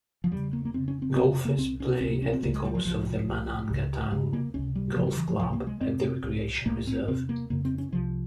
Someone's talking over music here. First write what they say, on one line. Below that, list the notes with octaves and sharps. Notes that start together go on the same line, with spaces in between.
Golfers play at the course of the Manangatang Golf Club at the Recreation Reserve.
F3
E2 C#3 G3
A#3
A#3
F2 C#3 C4
C#4
C4
F2 C3 C4
A#3
C2 A#2 C4
C#4
C#2 C3 C4
A#3
C#4
C4
C#2 C#3 A#3
G#3
G3
F3
C2 A#2 F3
C2 A#2
C#2 C#3
E2 C#3 G#3
A#3
C#2 C3 C#4
G3
E2 C#3 F3
G3
E3
F3
C#2 C3 F3
A#3
G#3
F2 C3 C4
C2 A#2
C2 A#2 A#3
C4
E2 C3 C4
A#3
F2 C#3 A#3
C4
C#4
C2 C3 F3